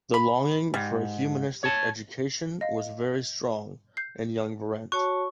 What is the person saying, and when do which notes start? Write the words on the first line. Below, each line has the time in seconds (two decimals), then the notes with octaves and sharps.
The longing for a humanistic education was very strong in young Berent.
0.14 B5
0.74 G#2 G3
1.63 C#5 A5
2.61 D#5 F5
3.97 G6 C7
4.92 F#4 C#5 A5 C#6 F#6